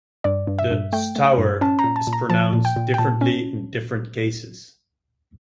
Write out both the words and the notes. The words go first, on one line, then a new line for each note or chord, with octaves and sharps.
The "Stour" is pronounced differently in different cases.
G2 D5
G2
E5
G2
A3 G5
A3
G2
C#4 A5
A#5
A#2
A5
A#2
A#5
F3 A5
A#2
G5
A#2
G5
A#2 A5
C#4